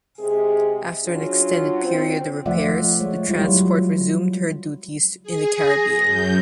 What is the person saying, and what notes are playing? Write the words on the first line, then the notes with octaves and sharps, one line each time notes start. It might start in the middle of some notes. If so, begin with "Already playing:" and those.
After an extended period of repairs, the transport resumed her duties in the Caribbean.
C3 G#3 G#4
F#3 C#4 D4 F4
C4
F3 A3 F4 D5 E5 F#5
G#3 C#5
G3 E4 F4 C#5
F#3
G#4
A#6
F#2 G6